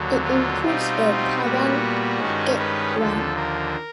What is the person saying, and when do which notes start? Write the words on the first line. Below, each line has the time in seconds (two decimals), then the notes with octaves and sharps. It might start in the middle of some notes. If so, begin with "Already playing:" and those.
It includes the Padang Cricket Ground.
Already playing: D#2 D3 F#3
0.24 F4
0.63 B2 G3 C4 D#4 F4
1.41 A#2 G3 B3 F#4
2.20 G2 D#3 G#3 C#4
2.58 B4
2.98 D#2 D3 F3 A4
3.36 A#4